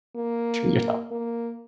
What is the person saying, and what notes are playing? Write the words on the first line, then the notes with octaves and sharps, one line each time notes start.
Treat yourself.
A#3
A#3